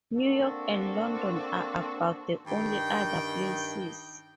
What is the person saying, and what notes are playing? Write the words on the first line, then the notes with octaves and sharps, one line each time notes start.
New York and London are about the only other places.
A#3 C4 D4 F#4 A4
G2 D#3 G5